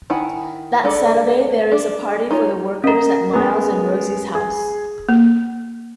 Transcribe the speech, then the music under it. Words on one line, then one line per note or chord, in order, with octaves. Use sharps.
That Saturday, there is a party for the workers at Miles and Rosie's house.
D#3 E4 F#5 G#5
G#3 D4 A4 D5
D4
D#4 F4 C#5
C#4 A#4 D#5 A#5
G#3 B3
G#4
A#3